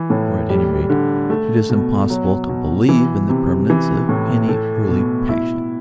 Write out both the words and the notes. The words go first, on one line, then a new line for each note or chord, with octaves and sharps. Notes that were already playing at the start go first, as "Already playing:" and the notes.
Or, at any rate, it is impossible to believe in the permanence of any early passion.
Already playing: E3
A2
G3
D3
A3
B2
F#3
B2
E3
C3
E3
A2
A3
B2
E4